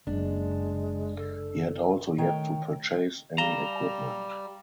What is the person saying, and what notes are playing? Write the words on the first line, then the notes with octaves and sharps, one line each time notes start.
He had also yet to purchase any equipment.
F#1 G#3 D4
A4
D#3 A3 C#5 G5
G3 F5 A#5 E7 G7